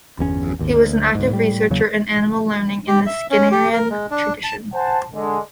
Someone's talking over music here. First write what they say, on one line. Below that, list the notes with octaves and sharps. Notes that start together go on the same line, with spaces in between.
He was an active researcher in animal learning in the Skinnerian tradition.
G1 E2 C#4
G#1 D#2
D2
D2 G#2
A2 G3
E2 C#3 F#3 A#3
G4
E5
C#4
G4
A#4
G#3
D4
A5
C5 F#5 G#5 A5
D3 G#3